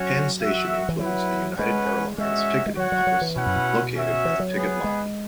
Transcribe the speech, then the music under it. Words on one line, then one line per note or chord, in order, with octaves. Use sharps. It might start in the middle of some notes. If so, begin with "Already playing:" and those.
Penn Station includes a United Airlines ticketing office, located at the ticket lobby.
Already playing: F#3 C#4 F#4 C#5
F#4 E5
E3
F#3 E4 B4 F#5
G#3 C#4 G#4 B4 F#5
G#3 C#4 F#4 E5
G#3
F#3 F#4 C#5 F#5
F#3
F#3
E3
B2 C#4 E4 B4 F#5
F#2
B2
C#4 F#4 E5
E3
F#3
B3 G#4 B4
G#3